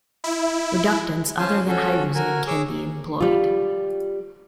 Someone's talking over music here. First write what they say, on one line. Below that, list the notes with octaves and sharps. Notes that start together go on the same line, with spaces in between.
Reductants other than hydrazine can be employed.
E4
C#4 F4 C5 G#5 A5
C#4 F#4 A4
F#4 A#4 G#5
G#4 C#5 D6 E6
G3 F4